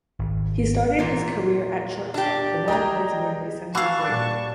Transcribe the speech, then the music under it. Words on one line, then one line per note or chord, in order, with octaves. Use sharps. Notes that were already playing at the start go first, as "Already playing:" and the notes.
He started his career at shortstop but now plays mainly center fielder.
G#1
E2 A#2
D4 G4
G3 G#3 D#5 G5 A#5
E3 F#4 F5 A5 C#6
A#2 G3 D4